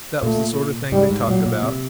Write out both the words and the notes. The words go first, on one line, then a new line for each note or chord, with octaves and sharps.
That was the sort of thing they talked about.
A#2 A3
G#2 G3
G#2
A#2 F#3
A#2
C3